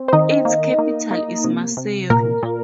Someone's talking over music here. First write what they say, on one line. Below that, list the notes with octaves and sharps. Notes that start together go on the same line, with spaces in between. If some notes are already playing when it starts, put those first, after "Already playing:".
Its capital is Maseru.
Already playing: C4
C5
D#3 D#4 D#5
A#3
A#3
A#3
C3
C3
A#2 A#4
A#2